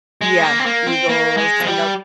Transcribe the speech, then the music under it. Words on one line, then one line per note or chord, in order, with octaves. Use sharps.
Yeah, Eagles, yup.
G#3
A#3
C4
A#3
C4
A#3
G#3
F3
G3